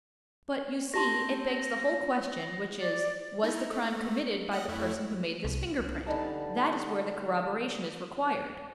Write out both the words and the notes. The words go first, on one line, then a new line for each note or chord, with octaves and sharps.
"But, you see, it begs the whole question, which is, 'Was the crime committed by the person who made this finger-print?' That is where the corroboration is required."
C4 G4 A5 C6 A#6
D5
D#4 E4
A3
D#5 F#5 F#6
F2 A3 E4
C2
D3 E3 G3 D#4 A5